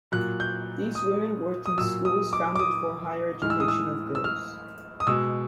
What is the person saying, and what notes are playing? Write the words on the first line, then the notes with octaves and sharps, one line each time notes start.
These women worked in schools founded for higher education of girls.
A#2 F#3 F#6
G6
D#6
D#6
A#2 F#3 E6
D#6
D6
D6
D#6
A2 E3 G#3 F6
E6
D#6
E6
E6
F6
D#6
B2 G#3 E6